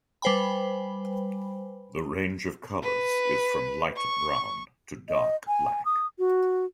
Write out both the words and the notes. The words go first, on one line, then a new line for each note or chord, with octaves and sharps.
The range of colors is from light brown to dark black.
G3 B4 C5 G5 G#5 B5
B4
C#6
D#5
G#5
D#6
F#4